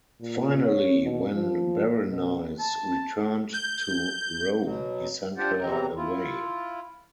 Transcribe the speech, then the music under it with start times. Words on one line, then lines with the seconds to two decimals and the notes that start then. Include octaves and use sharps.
Finally, when Berenice returned to Rome, he sent her away.
0.21 A#2
0.63 C#5
1.02 B2
1.34 F3
2.08 B2
2.59 A5
3.54 G6
4.63 B2 F#3
5.38 D4 F4 G4 C5 D5 F#5
5.61 E2 C3 E3 F#3 C4 A#5
5.96 E4 F4